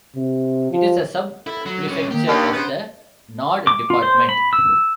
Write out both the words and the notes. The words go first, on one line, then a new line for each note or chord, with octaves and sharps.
It is a sub-prefecture of the Nord department.
C3
F3
E4 A4
F#3
G3 C#4
D#3 A#3 G4
D#2 D4
C#3 B3 B4 C5
D6
F4
C5
B5
E6